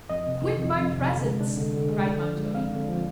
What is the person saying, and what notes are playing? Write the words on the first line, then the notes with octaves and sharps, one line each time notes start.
'Quit my presence!' cried Montoni.
F2 D#5
C3
D#3
F2
F2
C3
D3
G#3
D4
D3
D3
G#3
D3 D5
F3
G#3
C4 F5
D3
F3